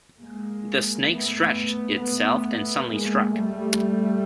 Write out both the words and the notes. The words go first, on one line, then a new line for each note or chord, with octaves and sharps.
The snake stretched itself, then suddenly struck.
G#3 A#3
A3 B3
A3 B3
G#3 A#3
G3 A3